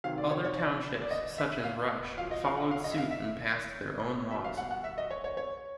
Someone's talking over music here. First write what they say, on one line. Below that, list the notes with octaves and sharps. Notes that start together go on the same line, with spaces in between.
Other townships, such as Rush, followed suit and passed their own laws.
C3 D#3 F#3 F5
D5
C#5
C#5
D5
D5
D#5
E5
F5
A#2 F#3 F5
D#5
F5
F#5
F5
D#5
E5
F5
E5
B2 G3 E5
F5
F#5
F#5
E5
D#5
C#5
C#5
C#5